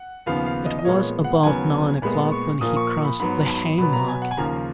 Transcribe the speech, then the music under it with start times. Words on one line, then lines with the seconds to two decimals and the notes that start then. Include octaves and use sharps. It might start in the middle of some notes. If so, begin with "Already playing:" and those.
It was about nine o'clock when he crossed the Hay Market.
Already playing: F#5
0.26 D#2 C#3 F3 B3 F5
0.46 F5
0.66 D#5
0.79 D#5
0.85 A#2 F3 G#3 B3 C#5
1.24 F#5
1.43 D#2 C#3 F#3 B3 G#5
2.02 A#2 G#3 B3 B5
2.32 C#6
2.61 A#2 F3 A#3 D#6
2.76 C#6
2.91 C#6
3.05 B5
3.19 G#2 F#3 B3 B5
3.50 B5
3.78 B2 F#3 B3 B5
3.93 A#5
4.08 G#5
4.22 F#5
4.31 G#5
4.37 D#2 C#3 F3 A#3 A#5